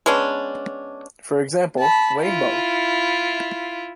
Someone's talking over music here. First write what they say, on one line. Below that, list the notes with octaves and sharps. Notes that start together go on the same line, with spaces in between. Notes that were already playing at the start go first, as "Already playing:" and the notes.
For example, rainbow.
G#3 B3 C#4 D4
A5 B5
E4 F4